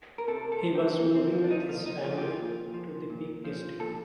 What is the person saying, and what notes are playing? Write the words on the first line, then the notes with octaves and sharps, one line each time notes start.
He was moving with his family to the Peak District.
A#4
C3 A4
A4
F3
G4
C3 A#3
C4
F3
D4
D#4
A#2 F4
D#4
F3 F4
G4
F4
A#2
F3
A#2
F3
A#2 A4